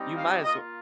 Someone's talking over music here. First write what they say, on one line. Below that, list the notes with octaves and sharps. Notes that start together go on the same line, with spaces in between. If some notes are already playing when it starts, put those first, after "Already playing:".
you might as well
Already playing: G3 C4 D#4 G4
F5
A#3 F4 D#5